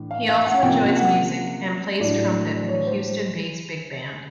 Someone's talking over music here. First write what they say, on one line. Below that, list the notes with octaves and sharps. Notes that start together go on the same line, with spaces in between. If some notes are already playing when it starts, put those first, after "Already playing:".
He also enjoys music, and plays trumpet with a Houston-based big band.
Already playing: A2 E3 D4
F5
F5
F#5
C3 F3 A#3 C#4 G5
F#5
A2 F#3 A3 D4 D5
C#5
C5